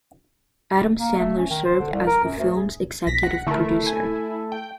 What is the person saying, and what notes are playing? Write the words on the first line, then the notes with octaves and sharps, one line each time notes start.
Adam Sandler served as the film's executive producer.
A#3
A3
C#4
D#3
C5
D3
C2
A#4
F#2
D2
G#4
B1 A#6 B6
F#5
D3 A3 E4 A#4
G#5
G5